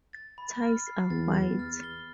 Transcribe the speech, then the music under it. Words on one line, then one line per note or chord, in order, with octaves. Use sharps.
Ties are white.
A6
B5
F6
C7
E2 A6
A6
F6
G7